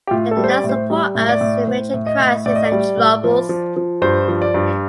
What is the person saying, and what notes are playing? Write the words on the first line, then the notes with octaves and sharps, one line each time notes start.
They did not support us in major crises and troubles.
G4
A2 F4
A4
G3
C5
D5
A2
C5
G3
A2
D5
A2
A2 C5
A2
D#5
A2
A2 D5
D#5
D5
G3
A2
F3
F3
F3
G2 C5
F3
D5
G2